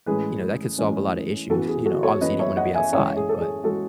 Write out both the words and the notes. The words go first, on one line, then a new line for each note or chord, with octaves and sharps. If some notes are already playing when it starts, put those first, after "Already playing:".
you know, that could solve a lot of issues. You know, obviously you don't wanna be outside, but,
A2 E3 G#3 C#4 G#4 B4
A2 E3 G#3 C#4
F#2 E3 B3 F#4 A4
G#4
F#4 A4
A4 C#5
F#2 E3 B3 B4 D#5
C#5 E5
D#5 F#5
E5 G#5
F#2 E3 G#3 C#5 E5
G#4
A4
G#4
E3 G#3 F#4 A4